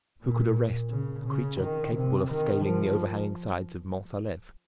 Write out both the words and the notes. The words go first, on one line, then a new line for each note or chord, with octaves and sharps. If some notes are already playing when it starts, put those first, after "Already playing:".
Who could arrest a creature capable of scaling the overhanging sides of Mont Saleve?
A#2
C#3
C#3
D#3
C3
D#3
F3